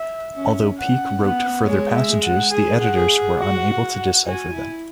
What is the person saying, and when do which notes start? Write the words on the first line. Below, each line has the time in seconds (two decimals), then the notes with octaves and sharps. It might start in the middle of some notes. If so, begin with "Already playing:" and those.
Although Peake wrote further passages, the editors were unable to decipher them.
Already playing: E5
0.35 C#4
0.78 C#4 F#5
1.21 B3 F#5
1.65 G#3 C#5
1.94 E5
2.08 G#3
2.24 F#5
2.51 G#4 G#5
2.80 F#5
2.95 G#4
3.10 F#5
3.39 F#4
4.26 F#4 G#5
4.53 E4